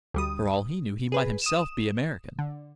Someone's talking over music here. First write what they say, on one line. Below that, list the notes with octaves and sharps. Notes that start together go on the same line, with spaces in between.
For all he knew he might himself be American...
D2 G3 D#6
G#4 B4
D#6 E7
D3